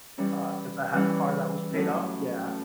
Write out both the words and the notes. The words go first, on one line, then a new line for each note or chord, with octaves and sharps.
uh, 'cause I had a car that was paid off yeah,
E3 G3 C#4 E4
E3 G3 C#4 E4
A2 F#3 C#4 E4
A2